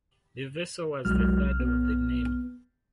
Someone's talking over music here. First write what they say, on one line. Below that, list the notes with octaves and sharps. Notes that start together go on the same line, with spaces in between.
The vessel was the third of the name.
B1 F#3 G#3 F#4 F6
B3